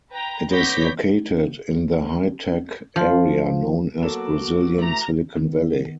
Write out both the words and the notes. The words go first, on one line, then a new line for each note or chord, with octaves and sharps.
It is located in the high tech area known as Brazilian Silicon Valley.
B4 G5 A#5
B3 C#5 D6 G6 A#6 B6
F3
F#3 A#3 B3 F#4 A4 D6 E7
E3 A3 A#5 B5
D#3 B3